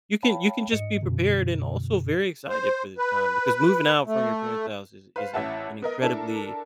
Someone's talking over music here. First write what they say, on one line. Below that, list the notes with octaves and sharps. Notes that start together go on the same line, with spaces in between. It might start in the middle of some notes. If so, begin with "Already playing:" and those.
you can you can just be prepared and also very excited for this time because moving out from your parent's house is is, uh, an incredibly,
C#5 F5 G5 A5 B5
G#2 D#5 C#7
F#2 B2 D3
C5
B4
A3
B4 C5 F5
A1 E4 E5 F#5 A5
B3 A#4 D#5
D4 E4 A4 A#4